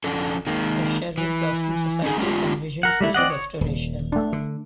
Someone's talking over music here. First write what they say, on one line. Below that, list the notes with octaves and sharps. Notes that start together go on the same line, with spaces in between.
The Cherry Blossom Society envisioned such a restoration.
F3 C#4 D4 A4
D#3 G#3 A#3
E3
C#4 D#4 G#4 G#5
G#3 A3 C#4 D4 F4 G4
A#4 F#5
G3 A3 E4
C4 D5 D#5 F#5
C#5
D#1
A3 D4
D3